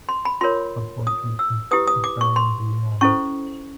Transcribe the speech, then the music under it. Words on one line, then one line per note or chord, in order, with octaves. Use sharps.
A portrait of Ephraim de Leon.
C6
B5
F4 A#4 C#5 C6
D#6
E6
E4 G4 B4 D#6
D#6
D6
C#6
C6
C#4 E4 A4 C5 C#6